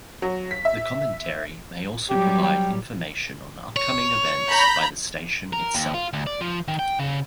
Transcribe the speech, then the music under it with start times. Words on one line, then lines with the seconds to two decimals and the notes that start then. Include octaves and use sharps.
The commentary may also provide information on upcoming events by the station itself.
0.22 F#3
0.51 B6
0.65 E5
2.09 F#3 G3 G4
2.43 G5
3.76 C#5
4.50 A#5 B5 G6
5.53 A#4
5.75 D#2
5.94 F4
6.13 D2
6.27 D5
6.41 F3
6.68 D#3
6.79 G5
6.99 C#3